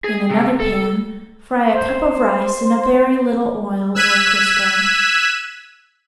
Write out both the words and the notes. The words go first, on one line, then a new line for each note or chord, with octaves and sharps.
In another pan fry a cup of rice in a very little oil or crisco.
G#4
C3
A4
C5
E6 F#6 G#6 B6 D#7 E7